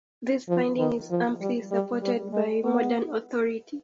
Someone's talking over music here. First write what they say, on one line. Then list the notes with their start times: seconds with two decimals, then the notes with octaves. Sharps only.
This finding is amply supported by modern authority.
0.48 F3
0.78 D#3
1.10 F3
1.41 G3
1.71 G3
2.02 G3
2.33 G#3
2.64 B3